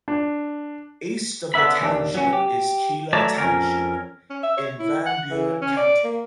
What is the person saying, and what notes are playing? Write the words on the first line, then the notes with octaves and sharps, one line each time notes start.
East of the township is Keeler Township in Van Buren County.
D4
D3 B3 E5 B5
D#2 D4
F#3 C#4
G4
F#3 A3 C#5 D5 A5 A#5
F2 C#4 A#4
C#4
E5
C#5
E4
F#5
E3
C#4
D5
A#3